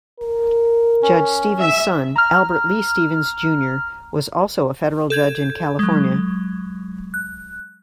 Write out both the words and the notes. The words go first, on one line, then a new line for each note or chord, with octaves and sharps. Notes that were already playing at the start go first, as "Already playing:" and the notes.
Judge Stephens' son, Albert Lee Stephens Junior was also a federal judge in California.
A#4
C#4
E5
A#5 F6
A4 G6 G#6
F#3 G#3
F#6